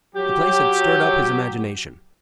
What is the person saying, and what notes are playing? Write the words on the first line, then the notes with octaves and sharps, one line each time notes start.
The place had stirred up his imagination.
F#3 G4